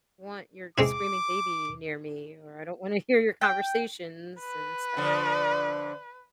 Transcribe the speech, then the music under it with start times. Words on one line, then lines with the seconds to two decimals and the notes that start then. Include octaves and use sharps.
want your screaming baby near me," or, "I don't wanna hear your conversations and stuff."
0.78 G#3 C4 E4 D6
3.41 G5
4.40 B4
4.97 D3 F3